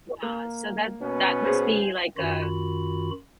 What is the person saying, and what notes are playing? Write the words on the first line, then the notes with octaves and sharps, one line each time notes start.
Yeah, so that that must be, like, uh
A#3
B2 B3 C#4
G#4 C5
F#2 D#3 F4 F#4 B5